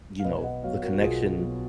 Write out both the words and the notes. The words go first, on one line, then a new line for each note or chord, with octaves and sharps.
you know, the connection
F5
B1 B4 D#5
D#5 F#5
B2 F#3 C#5 F5
F#4 A#4
F#4
B1 F4 G#4
B2 F#3